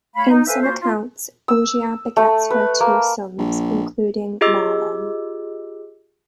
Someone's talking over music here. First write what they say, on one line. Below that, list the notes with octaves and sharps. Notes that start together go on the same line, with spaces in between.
In some accounts, Ogier begets her two sons, including Marlyn.
A3 C#5 F5 B5
D#4
A4 B4 C5 E5 F5 G#5
A#3 F4 F#4 C5
F4
E6
A3
B4
A#3
A#1
F4 G4 G#4 D#5 D6 E6